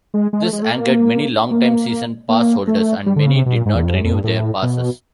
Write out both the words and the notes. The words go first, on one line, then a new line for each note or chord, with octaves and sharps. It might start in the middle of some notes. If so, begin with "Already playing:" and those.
This angered many long-time season pass holders and many did not renew their passes.
G#3
G#3
A3
G#3
A3
A#3
A#3
A#3
A3
G3
D3
C#3
C3
B2
A#2
G#2
E2
F2
F#2
F2
G2
A2
B2